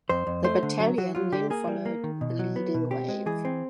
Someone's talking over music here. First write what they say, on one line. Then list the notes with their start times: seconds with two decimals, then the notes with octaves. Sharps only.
The battalion then followed the leading wave.
0.09 F2 C5
0.27 F2
0.44 A3 C5
0.63 D3
0.80 F#3
0.98 F#3 F#4
1.15 F#3 F4
1.32 D3 G4
1.50 A#3 G#4
1.68 G3
1.86 A#3
2.04 D#3
2.21 B2
2.39 F#3
2.56 B3
2.74 B2
2.91 C4 G4
3.09 G#3
3.26 E3 G#4
3.45 C4